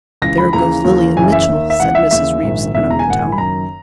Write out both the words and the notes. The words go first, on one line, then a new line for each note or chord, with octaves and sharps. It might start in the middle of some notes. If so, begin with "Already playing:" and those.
"There goes Lilian Mitchell," said Mrs. Reeves in an undertone.
C#2 C#3 E3 A#6
B5
D#2 C#3 E3 A#5
D#2 C#3 E3
F#1 F#2 C#3 E3 G#5
E5
D#2 D#3
E5
C#2 C#3 E3 F#5
E5
D#2 C#3 E3 E5
A#1 G#2 D#3
E1 E2 C#3 E3 E5
A#5
G#5
A#1 G#2 D#3 F#5
G#5
B5
F#1 F#2 D#3 A#5